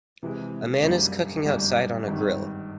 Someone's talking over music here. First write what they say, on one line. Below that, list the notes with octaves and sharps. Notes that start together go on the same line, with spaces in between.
A man is cooking outside on a grill.
C3 E3 G#3
F#2 D3 G3 A#3
G1 F#2 D3 G3
G#1 G2 D#3